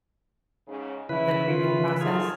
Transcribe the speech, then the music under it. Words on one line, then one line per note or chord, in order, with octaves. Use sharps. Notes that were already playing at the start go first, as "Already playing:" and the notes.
of the grieving process.
G#2 C#3
C#3 E4 B4
E4 F4
D#3 A3 F4 G#4